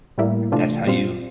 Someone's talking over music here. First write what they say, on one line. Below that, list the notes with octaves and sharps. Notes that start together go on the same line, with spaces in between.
that's how you
A2 G3 A#3 E4
C3 E3 A3 D4 F4
A#2 G3 C4 F4